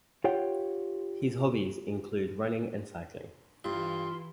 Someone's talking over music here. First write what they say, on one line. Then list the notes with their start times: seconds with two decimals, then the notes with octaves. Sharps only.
His hobbies include running and cycling.
0.24 F4 G4 C#5 F#5 G5
3.64 G2 E3 E4 F4 C6